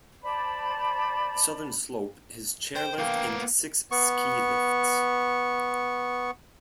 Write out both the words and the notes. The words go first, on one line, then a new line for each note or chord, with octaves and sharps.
The southern slope has chair lift and six ski lifts.
C5 D5 A5 B5
C5 G5
A#3 B3 F5
B3 C#6